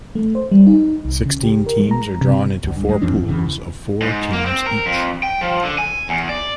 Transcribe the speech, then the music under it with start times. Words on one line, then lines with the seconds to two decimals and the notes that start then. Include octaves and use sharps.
Sixteen teams are drawn into four pools of four teams each.
0.15 A3
0.35 C5
0.52 G3
0.67 D#4
1.05 C2
1.26 C#3
1.43 G4
1.66 A#4
1.79 G#3
1.91 A#5
2.21 C3
2.64 D2
2.76 G2
2.89 G#3
3.02 F2 F3 C4 D4
3.15 G#1
3.29 E2 C#3 E3
4.02 G#2
4.33 A#3
4.46 C4
4.67 A#4
4.86 F2
5.23 G5
5.41 F3
5.64 D3
5.78 G#5
6.09 E2
6.29 D5